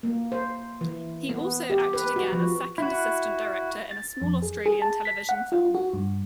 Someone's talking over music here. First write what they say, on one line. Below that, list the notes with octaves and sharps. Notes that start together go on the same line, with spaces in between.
He also acted again as second assistant director in a small Australian television film.
A#3
C5
E3
B3
G4
B4
F#4
F3
E4 F#4
A6
F2
G#4
G#4
A5
B6
F#5
F4
F#4
G2